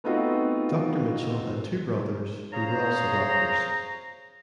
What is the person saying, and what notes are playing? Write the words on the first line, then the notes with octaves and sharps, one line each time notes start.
Dr Mitchell had two brothers who were also doctors.
A3 B3 C4 D#4 F4 F#4
G#4 C5 C#5 F5 A#5